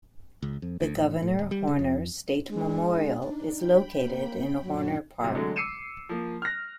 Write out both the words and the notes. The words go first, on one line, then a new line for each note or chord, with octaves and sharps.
The Governor Horner State Memorial is located in Horner Park.
C#2
F2
D2
A1
A2
D1
G3
C#3
F2
G#3 D4
D4
D#4
G5 B5
A#3
F#2 A#2 F#3 D4
C3 F#3
D3 F#3 G#3 A3
D6 E6 C7 C#7 D#7 E7
F3 A#3
F6 F#6 A#6